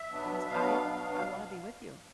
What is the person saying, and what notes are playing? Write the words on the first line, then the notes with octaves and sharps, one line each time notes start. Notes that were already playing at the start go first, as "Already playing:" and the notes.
he goes, "I I wanna be with you."
Already playing: E5
B2 F#3 B3 D4
B2 F#3 B3 D4 F5
B2 F#3 B3 D4
F5